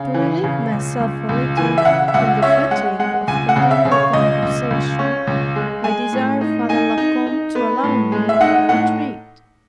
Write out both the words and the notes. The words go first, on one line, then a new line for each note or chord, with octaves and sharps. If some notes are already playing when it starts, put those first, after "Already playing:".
To relieve myself a little from the fatigue of continual conversation, I desired Father La Combe to allow me a retreat.
Already playing: C#3
E3
C#3
C#2
C#2
C#2
E3 G#5
E5
C#3 F#5
E5
C#2 F#5
C#4 E5
G#3 F#5
G#3 F#5
C#2 G#5
F#5
C#3
E5
C#3
C#5
C#2 D#5
C#2
C#2
C#4
C#2
G#3
G#3 G#5
A2
D#4
D#4 G#5
D#4
D#4
B3
A2
G#3
E5
D#4 F#5
A2 F#5